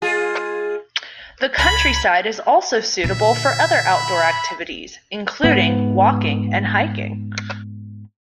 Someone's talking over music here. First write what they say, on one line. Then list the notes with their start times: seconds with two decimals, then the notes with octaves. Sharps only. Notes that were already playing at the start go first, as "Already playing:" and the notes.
The countryside is also suitable for other outdoor activities, including walking and hiking.
0.02 G#3 F4 G#4
1.58 C#2 A#5 B5 G#6
3.04 A#2 D3 E5
3.93 B5
5.44 G#2 B3